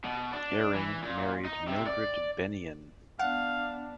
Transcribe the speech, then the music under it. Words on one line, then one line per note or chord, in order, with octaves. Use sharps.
Eyring married Mildred Bennion.
B2
D4
E3
A#2
D#4
C3
D5
B3 D4 F5 F#5